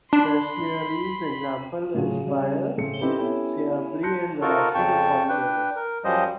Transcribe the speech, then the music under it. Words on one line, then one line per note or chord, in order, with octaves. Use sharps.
Pesniary's example inspired Siabry and Verasy to follow their way.
D4 B5 C6
A2 C#3 F#3 F4 F#4 G#4
C#3 G3 C#4
A2 C#3 A3 C4 C#7
C4 D#4 E4 G4 A4 B4
B3 C#4 E4 G4 A4
A5 C6 F#6 G6 A#6 C#7
D#4 F4 F#4 A4 A#4
F2 C#3 G5 A5 C#6
D4 B4 G5
A#4
F#2 F3 G3 C5 D#5